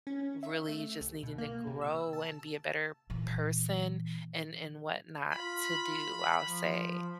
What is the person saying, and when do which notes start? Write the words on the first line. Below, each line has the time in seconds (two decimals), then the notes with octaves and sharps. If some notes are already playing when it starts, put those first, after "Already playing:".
really just needing to grow and be a better person and and what not to do, I'll say.
0.07 C#4
0.43 E5
0.69 A3
1.01 C2
1.23 B2
1.38 A#3
1.67 C3
1.81 E6
2.13 A5
3.10 A#2 E3
5.32 F4 B5
6.42 F3